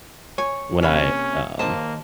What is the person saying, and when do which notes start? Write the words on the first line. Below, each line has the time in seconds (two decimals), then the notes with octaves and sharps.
when I um
0.38 C#5 G#5
0.82 C3 A#3 C#4 B5
1.59 D#2 A#3 C5 D#5 A5